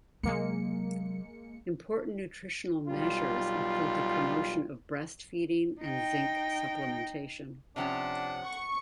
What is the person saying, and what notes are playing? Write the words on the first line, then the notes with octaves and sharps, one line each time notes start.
Important nutritional measures include the promotion of breastfeeding and zinc supplementation.
C3 F#3 G#3 A#3 C#7
B1 G3 F4
D#4 G5
C3 F3 C#4 D4 F#5
C#6